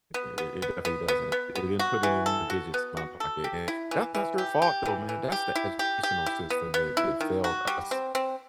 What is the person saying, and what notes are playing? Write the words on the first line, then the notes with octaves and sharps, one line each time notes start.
I i it definitely doesn't, it didn't put any more digits in my pocket. And, that's not your fault, though, man. That's the educational system that that failed us'
B3
B3
B3
B3
B3
B3
B3
F#4
E3
A4
F#4
B3
F#4
A4
G4
E4
E3
E3
G4
G4
E3
E3
G4
E4
G4
G4
E4
B3
B3
E4
D#3
F#4
G3
C4
C4